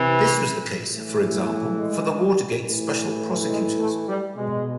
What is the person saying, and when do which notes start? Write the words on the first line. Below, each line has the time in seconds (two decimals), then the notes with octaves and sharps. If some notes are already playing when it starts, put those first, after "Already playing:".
This was the case, for example, for the Watergate special prosecutors.
Already playing: C3 E3
0.92 A2 E3
1.78 G#3
2.64 A2 E3
3.50 G#3
3.80 A3
4.09 G3
4.37 B2 G#3